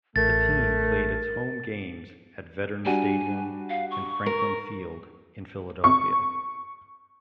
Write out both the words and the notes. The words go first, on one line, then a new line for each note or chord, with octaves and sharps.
The team played its home games at Veterans Stadium and Franklin Field in Philadelphia.
A1 A3 A#4 A6
G3 D4 F#4 G#5
F5
C#6
A#4
C#6